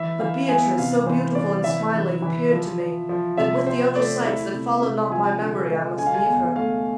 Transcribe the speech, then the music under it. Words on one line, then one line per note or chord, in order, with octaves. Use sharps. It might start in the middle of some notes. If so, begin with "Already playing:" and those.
But Beatrice so beautiful and smiling Appeared to me, that with the other sights That followed not my memory I must leave her.
Already playing: E3 E5
E3 F5
B3 G#5
C3 F5
E3 C5
C3 D5
E3 E5
E3
E3
F3
F3
F3
C3 E5
C4 C5
A3 D5
E4 E5
C3
C3
F3 G#5
D3
G#3
D3 G#5
F5
G#5
E2 G#5
A3 F5